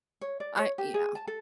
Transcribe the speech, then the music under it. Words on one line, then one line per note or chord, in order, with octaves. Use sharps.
I uh yeah.
C#5
D5
C#5
G4
G#4
A5
A4